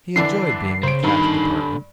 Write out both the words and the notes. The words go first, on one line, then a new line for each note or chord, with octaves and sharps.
He enjoyed being in the Cash Department.
D3 E3 D4 C7
C#3 C5 D7
G2 D3 D#3 B5